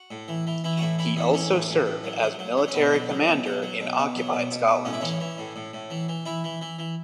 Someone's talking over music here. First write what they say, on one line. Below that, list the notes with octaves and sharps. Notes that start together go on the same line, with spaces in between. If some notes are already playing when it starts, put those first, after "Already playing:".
He also served as military commander in occupied Scotland.
Already playing: F#4
A2
E3
E3
E3 E4
F#4
A2 E4
E3 E4
A2 B3
E3 C#4
A2
A2
A2
F#3
F#3
F#3
F#3
C#4
B2 B3
F#3
F#3
B2
F#3
F#3
B2
B2
F#3
B2
B2
B2
A2 C#4
E4
E3 C#4
E3
A2
A2
A2
E3
E3
E3 E4
E3
E3
E3